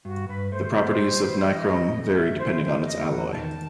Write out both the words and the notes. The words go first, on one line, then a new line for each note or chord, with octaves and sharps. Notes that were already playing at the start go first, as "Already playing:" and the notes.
The properties of nichrome vary depending on its alloy.
G2 F#4
G2 B4
A3 C5
B3 C5
G3
B4
E3 D#5
C4
A3
A3 E5
E4 C5
A3 C5
E2 D#5
G5
E2 F#5
D#3 A5